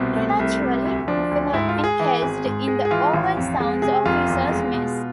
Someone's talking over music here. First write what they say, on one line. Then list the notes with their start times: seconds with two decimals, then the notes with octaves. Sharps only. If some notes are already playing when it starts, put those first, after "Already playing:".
Eventually, they were encased in the Owen Sound Officers' Mess.
Already playing: C2 B2 C4
0.16 A3
0.39 C2
0.62 C3
0.85 D2
1.08 F3 D4
1.31 D2
1.53 G#2 E4
1.69 F4
1.77 G#3
1.84 G#4
2.00 E3
2.22 G#1
2.45 G#2
2.68 G#3
2.85 G#4
2.91 E3 F4
3.14 A1
3.37 F2
3.60 G#3
3.82 C3 G#4
4.05 F1 F4
4.28 E2
4.51 G#3
4.74 B2